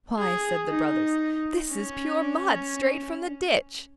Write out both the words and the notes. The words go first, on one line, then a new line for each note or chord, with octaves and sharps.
'Why!' said the brothers, 'this is pure mud, straight from the ditch.'
G#4
D#4
C#4